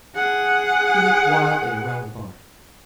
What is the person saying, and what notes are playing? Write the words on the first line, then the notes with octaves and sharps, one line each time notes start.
He looked wildly around the barn.
G#4 F#5